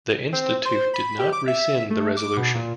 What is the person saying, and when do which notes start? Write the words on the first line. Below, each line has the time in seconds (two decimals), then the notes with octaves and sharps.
The Institute did not rescind the resolution.
0.33 C4
0.65 C5
0.94 B5
1.19 G4
1.33 D6
1.47 E5
1.90 A3
2.17 D6
2.37 B2
2.54 A#2